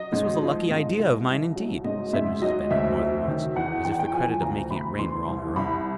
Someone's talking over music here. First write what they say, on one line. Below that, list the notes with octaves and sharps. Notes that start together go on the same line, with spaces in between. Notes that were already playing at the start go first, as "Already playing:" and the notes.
"This was a lucky idea of mine, indeed!" said Mrs. Bennet more than once, as if the credit of making it rain were all her own.
Already playing: F#3 D#5
G#2
F3
G#2
C2
C2
F#3
G#2 D#5
G#2 E5
F#3 D#5
D2 E5
F#3
D#3
E2 F#5
E2 G5
F#5
G5
F3 G#5
D2 A#5
D2 B5
E3 C6
C2
C2 B5